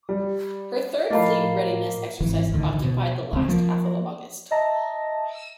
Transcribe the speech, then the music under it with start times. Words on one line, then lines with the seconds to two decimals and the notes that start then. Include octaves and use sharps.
Her third fleet readiness exercise occupied the last half of August.
0.09 G3
1.10 A2 F3 A#3 D#5 F5 A5 B5
2.20 G#1 E3
2.53 A1 D2 D3 D#3
2.81 B2
3.33 C#2 C4
3.48 F3 A#3
4.51 D#5 E5 A5 A#5 A#6